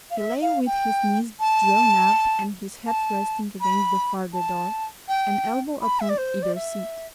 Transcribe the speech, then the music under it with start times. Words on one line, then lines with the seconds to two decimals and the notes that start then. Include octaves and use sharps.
He lay with his knees drawn up, and his head resting against the farther door, an elbow upon either seat.
0.10 F5
0.17 E5
0.42 F5
0.66 G5
1.40 A5
2.87 A5
3.61 B5
4.33 A5
5.08 G5
5.81 B5
6.00 E5
6.09 D5
6.18 C5
6.42 D5
6.55 E5